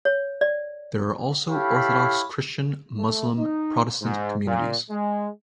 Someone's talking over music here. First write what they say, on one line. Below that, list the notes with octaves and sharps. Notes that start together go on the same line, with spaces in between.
There are also Orthodox Christian, Muslim, Protestant communities.
C#5
D5
E4 G4 A4 C#5 F5 B5
A3
D#4
G#2
A#2
G#3